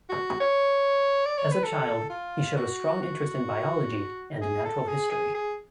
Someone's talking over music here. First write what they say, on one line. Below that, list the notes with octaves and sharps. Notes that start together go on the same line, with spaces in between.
As a child, he showed a strong interest in biology and natural history.
F#4
C#5
D5
C#5
B4
A4
F4
F#4
F#4
G#4
A4
G#4
G#4
G#4